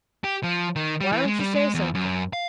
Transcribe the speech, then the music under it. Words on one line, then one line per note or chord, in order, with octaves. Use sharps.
"Why don't you say something?"
G4
F3
D#3
G3
E3
G#3
G3
G#3
E2
F#2
F5